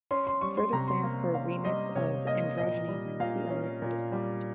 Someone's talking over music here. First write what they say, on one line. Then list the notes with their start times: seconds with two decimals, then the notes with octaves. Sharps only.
Further plans for a remix of "Androgyny" by Missy Elliott were discussed.
0.11 C#4 C6
0.27 C6
0.41 G3 C#6
0.57 C6
0.73 C3 A#5
0.88 C6
1.03 A#3
1.34 C#4 F5
1.65 G3 D#5
1.96 C3 C#5
2.26 A#3 D#5
2.58 A#2 D#5
2.88 G3
3.20 A#2 F5
3.50 C#4
3.82 A#2
4.12 G3